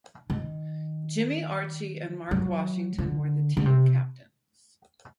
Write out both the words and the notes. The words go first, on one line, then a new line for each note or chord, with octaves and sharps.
Jimmy Archie and Marc Washington were the team captains.
D#3
F#3
D3
D3
C3